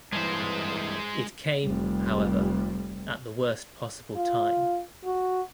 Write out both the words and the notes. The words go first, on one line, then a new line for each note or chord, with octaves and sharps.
It came, however, at the worst possible time.
G2 E3 G#3 C5
F1 G3
F4
F#4